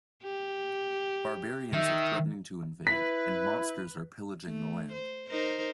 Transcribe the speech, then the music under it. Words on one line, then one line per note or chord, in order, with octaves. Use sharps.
Barbarians are threatening to invade, and monsters are pillaging the land.
G4
D#3 E5
E4 B4 B6
A3
C5
D#4 A#4 C5